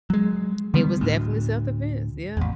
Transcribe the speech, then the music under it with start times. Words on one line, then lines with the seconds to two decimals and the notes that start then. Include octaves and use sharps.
It was definitely self-defense. Yeah.
0.10 F#3 G#3
0.74 D3 G3 B3
1.01 D2 A2
2.37 A1 E2